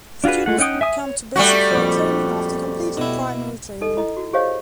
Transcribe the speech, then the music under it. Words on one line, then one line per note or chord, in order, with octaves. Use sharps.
Students would come to Basic Flight Training after completing Primary Training.
D4 F4 F#4 G#4 B4
G#3 A3 F#5
C#4 D#4 F#5 G5 D#6
E5 G#5 D#6
C#5
G3 A3 F#4
A#1 F2
B2 E4
D#4 A4 D#5
E4 D#5
F#4
G4 G#4 C5 C#5 D#5 F5